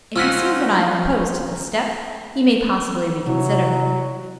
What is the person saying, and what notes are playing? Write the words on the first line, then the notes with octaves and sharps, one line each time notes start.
If he sees that I am opposed to this step, he may possibly reconsider it.
F3 C4 C#4 D#4 F#5 E6 F6 B6
C3 F#3 E4